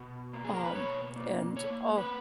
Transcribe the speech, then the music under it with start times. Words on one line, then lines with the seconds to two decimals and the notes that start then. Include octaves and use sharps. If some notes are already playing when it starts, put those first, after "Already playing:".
um, and, oh
Already playing: B2
0.33 A#3
0.44 G#4
0.54 A#4
0.64 B4
0.75 B2 C#5
1.16 A#3
1.56 A#3 C#5
1.97 A#3 B4